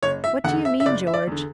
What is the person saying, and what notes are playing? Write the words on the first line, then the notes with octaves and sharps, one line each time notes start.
"What do you mean, George?"
F#1 C#5
E5
E2 D3 F#5
E5
E5
F#1 D5
E5
D5
E2 D3